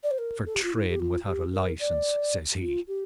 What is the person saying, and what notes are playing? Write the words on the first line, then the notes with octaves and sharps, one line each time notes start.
For trading without a licence, says he.
D5
C5
A#4
A4
G4
F4
E4
G4
F4
G4
A#4
D5
F4
G4